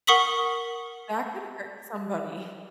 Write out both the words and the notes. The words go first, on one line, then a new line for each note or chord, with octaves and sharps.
That could hurt somebody.
A#4 F#5 C#6 D#6 B6 F#7